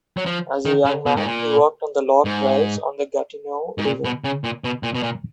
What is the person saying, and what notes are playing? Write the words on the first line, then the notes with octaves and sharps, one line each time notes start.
As a young man, he worked on the log drives on the Gatineau River.
F#3
F3
D#3
C#3
B2
G#2
A#2
G#2
G#2
A#2
B2
C#3
A#2
B2
A#2
B2
A#2